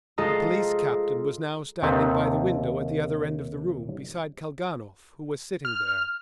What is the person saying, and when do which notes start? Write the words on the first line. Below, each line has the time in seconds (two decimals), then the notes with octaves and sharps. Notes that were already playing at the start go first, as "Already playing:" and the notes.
The police captain was now standing by the window at the other end of the room, beside Kalganov, who was sitting there.
0.18 G#3 F4 A4 C5 D#5 A#5
1.82 D#2 C3 D#3 C4 A4 B4
5.65 F6